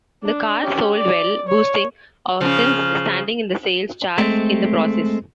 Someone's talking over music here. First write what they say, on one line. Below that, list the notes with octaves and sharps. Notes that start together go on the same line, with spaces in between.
The car sold well, boosting Austin's standing in the sales charts in the process.
D4
C#4 G4
D5
C#5
C#3 F3
G#3 A3 C4